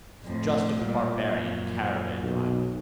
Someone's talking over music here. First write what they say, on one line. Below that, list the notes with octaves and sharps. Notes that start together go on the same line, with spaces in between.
"He's just a barbarian caravan-driver."
F2 A2
A#2 G3
F#2
B1